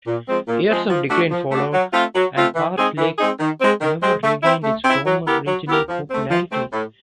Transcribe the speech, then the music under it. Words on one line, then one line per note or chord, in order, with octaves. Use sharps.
Years of decline followed and Park Lake never regained its former regional popularity.
A#2
F3 G#3 C4
A#2
F3 G#3 C4
F3
A3 D4 F#4
F3
A3 D4 F#4
F#3
A3 C4 F4
F#3
A3 C4 F4
E3
G#3 C4 D#4 G#4
E3
G#3 C4 D#4 G#4
D#3
G#3 C4
D#3
G#3 C4
A3
C4 E4
A3
C4 E4
F#3
B3 E4 G4 A#4
F#3
B3 E4 G4 A#4
F3
A3 C4
F3
A3 C4
A2